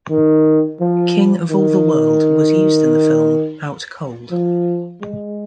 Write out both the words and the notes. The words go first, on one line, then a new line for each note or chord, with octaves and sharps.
"King of All the World" was used in the film "Out Cold".
D#3
F3
D#3
F3
G#3